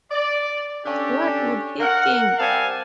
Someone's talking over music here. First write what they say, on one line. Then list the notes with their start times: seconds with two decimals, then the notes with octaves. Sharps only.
What would he think?
0.11 D5
0.85 C#4 D4 G4 A4
1.80 A#4 F#5
2.39 G3 C4 F5 G#5 A5